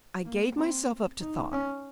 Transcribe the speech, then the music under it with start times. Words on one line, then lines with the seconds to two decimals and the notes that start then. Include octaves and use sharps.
I gave myself up to thought.
0.25 A#3
0.57 C4
1.21 D#4
1.52 C#4